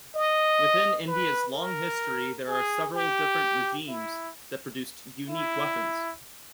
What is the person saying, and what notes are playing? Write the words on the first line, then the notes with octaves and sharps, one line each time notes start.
Within India's long history there are several different regimes that produced unique weapons.
D#5
B4
A#4
G#4
G4
E4
E4